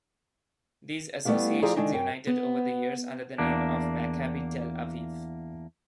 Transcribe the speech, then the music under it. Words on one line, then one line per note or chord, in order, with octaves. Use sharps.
These associations united over the years under the name of Maccabi Tel Aviv.
G3 A3 B3 E4 G4 F5
F3 F4 G4 G#4 D5 A#5
D3 D#3 G#3 D4 D#4
F#2 G5
B3
E2 A#3 D4